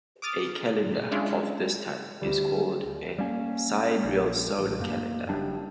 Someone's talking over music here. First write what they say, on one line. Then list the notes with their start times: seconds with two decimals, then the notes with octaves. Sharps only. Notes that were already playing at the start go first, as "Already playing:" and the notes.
A calendar of this type is called a sidereal solar calendar.
0.22 D6 D#6 F6 A6
1.12 G#3 C#4 D4 E4 F4
2.22 D2 G3 E7
3.18 G3 A#3 C#4
4.04 A#1
4.58 A1
4.80 F#2 A#3
5.29 F#1 F#2 G3 D4